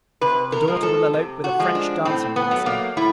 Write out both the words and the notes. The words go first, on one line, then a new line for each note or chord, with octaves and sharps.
The daughter will elope with a French dancing-master.
C3 B4
A#4
F3 G#3
A4
C3
F#4
F3 G#3
D4
A2 C4
B3
F#3 A3
A#3
A2 E4